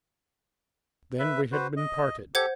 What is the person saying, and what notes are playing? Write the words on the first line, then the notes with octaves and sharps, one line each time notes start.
Then we had been parted.
B4 E5
F#4 B4 C5
D#5
G4 A4 C5 F#5 G#6